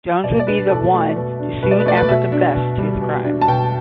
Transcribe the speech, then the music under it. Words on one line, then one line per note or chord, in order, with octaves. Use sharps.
Jones would be the one to soon after confess to the crime.
B2 D5
D5
D4 B4
B2 A4
A3
B2
D4
B2 B4
D5
B4
A3 D5
B4
B2 E5
D4
B2
G3
B2
D4
A5
B2 G5